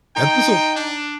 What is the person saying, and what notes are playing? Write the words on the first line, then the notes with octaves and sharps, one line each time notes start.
That's also
D#4 G5
D4